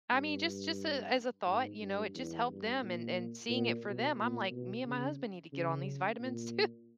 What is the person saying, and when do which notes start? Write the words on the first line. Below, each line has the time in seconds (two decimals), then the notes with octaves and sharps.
I mean, just just, uh, as a thought, you know, it just helped them and and seeing it for them. I'm like, "Me and my husband need to get on these vitamins too."
0.11 G2
1.46 G#2
1.80 G2
2.15 E2
2.48 G2
2.81 A#2
3.49 A#2
3.84 B2
4.17 A#2
4.51 B2
4.85 C#3
5.53 C#3
6.20 A#2